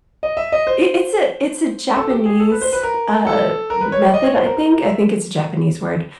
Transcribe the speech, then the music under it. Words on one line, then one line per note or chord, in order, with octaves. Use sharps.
it's a it's a Japanese, uh, m method, I think I think it's a Japanese word,
D#5
E5
D#5
C5
A4
G4
G#4
A4
B4
C5
B4
A#4
A4
A#4
B4
C#5
D5
D#5
C#5
C5
A#4
A#4
A#4
E5